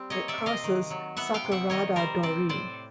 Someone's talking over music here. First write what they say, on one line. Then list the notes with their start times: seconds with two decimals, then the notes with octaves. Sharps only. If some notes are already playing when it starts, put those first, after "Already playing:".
It crosses Sakurada Dori.
Already playing: G3 C4 G4
0.10 A#3 C#5 D#5
0.28 D5 E5
0.38 C3
0.46 D#5 F5
0.64 D#3
0.90 F#3
1.17 B3 E5 F#5
1.34 F5 G5
1.44 C3
1.52 E5 F#5
1.69 D#3 C#5 D#5
1.96 G3 A#4 C5
2.23 C4 C5 D5
2.49 A2 C5 D5